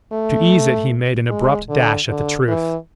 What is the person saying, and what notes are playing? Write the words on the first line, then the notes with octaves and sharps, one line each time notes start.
To ease it he made an abrupt dash at the truth.
A3
G#3
D3
D3
E3